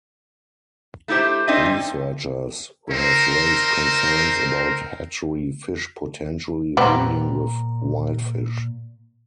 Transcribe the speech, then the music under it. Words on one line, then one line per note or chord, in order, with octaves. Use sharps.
Researchers have raised concerns about hatchery fish potentially breeding with wild fish.
A3 D#4 E4 G4 C5
C4 D4 D#4 C5 D#5 E5
C4
C4 D#4 A#4 C5
A#2 G3 B3 C4 A#5